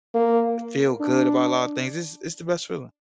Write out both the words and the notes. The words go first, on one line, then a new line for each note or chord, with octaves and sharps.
feel good about a lotta things. It's it's the best feeling.
A#3
D4